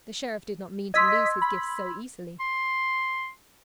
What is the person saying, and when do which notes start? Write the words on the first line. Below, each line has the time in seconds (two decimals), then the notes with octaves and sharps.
The Sheriff did not mean to lose his gifts so easily.
0.94 D#5 C6 E6 G#6 B6
1.42 B5
2.40 C6